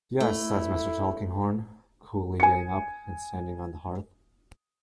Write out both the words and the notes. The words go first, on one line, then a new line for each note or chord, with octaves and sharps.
"Yes," says Mr. Tulkinghorn, coolly getting up and standing on the hearth.
A3 E4
G#5 C#7